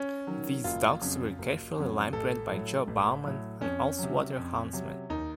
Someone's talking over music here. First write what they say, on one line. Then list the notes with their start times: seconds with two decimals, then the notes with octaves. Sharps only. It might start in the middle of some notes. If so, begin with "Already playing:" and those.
These dogs were carefully linebred by Joe Bowman, an Ullswater huntsman.
Already playing: C#4
0.27 D#3 F#3
0.64 F#1 F4
1.01 F2 C#3 F#3
1.39 F#1
1.75 F2 C#3 F#3
2.13 A1 A4
2.50 A2 F#3
2.87 A1
3.24 A2 F#3
3.61 F2 C#4
3.99 C3 F#3
4.36 F2
4.73 C3 F#3
5.10 D#2 D#4